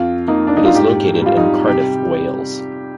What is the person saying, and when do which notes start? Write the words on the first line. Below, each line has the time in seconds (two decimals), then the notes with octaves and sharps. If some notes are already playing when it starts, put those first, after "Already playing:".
It is located in Cardiff, Wales.
Already playing: F2 F4
0.28 A#3 D#4
0.47 D4
0.57 D#4
0.65 F4
0.75 G#2 G4
1.22 G3 F4
1.37 D#4
1.68 C3 G4